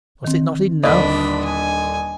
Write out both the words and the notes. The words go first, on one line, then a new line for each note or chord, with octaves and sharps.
Was it not enough?
D#3 C4
D#1 D3 D4 D5 D#5 B5
G#5